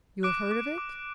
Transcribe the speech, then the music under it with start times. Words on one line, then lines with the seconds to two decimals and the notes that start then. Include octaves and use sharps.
You have heard of it?
0.23 D6 F#6 D7
0.51 D6
0.78 D6